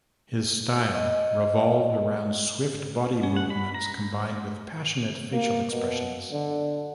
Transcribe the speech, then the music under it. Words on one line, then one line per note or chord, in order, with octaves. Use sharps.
His style revolved around swift body movements combined with passionate facial expressions.
D#5
C#4
F#5
B5
A#5
A#3
B2
D3